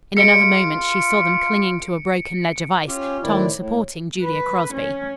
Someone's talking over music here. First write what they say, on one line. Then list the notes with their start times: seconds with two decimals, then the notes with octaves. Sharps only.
In another moment she saw them clinging to a broken ledge of ice, Tom supporting Julia Crosby.
0.17 F4 G#4 D#5 C#7 D7
2.88 C#4 F4 G4
3.23 A2 D#3 C4 E4 D5
3.57 A2
4.22 B4
4.73 C#4